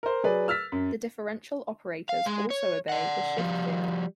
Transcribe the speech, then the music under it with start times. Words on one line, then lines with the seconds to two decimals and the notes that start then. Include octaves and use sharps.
The differential operators also obey the shift theorem.
0.03 A#4 C5
0.23 F#3 G#4 B4 D5
0.48 E6 F6 A6 B6
0.72 F#2
2.09 F5
2.26 G#3
2.50 C#5
2.89 D5 F#5
3.38 F3 G3